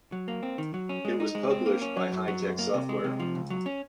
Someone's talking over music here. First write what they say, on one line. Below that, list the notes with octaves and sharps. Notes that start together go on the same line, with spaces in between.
It was published by Hi-Tec Software.
F#3
A#3
C4
D#3
F#3
C#4
G#3
D#4
G#3
C4
A#3
C#4
F#3
F#2
F#3
F#2
A#3
C3
G#3
C3
F3
C#2
F#3
C#4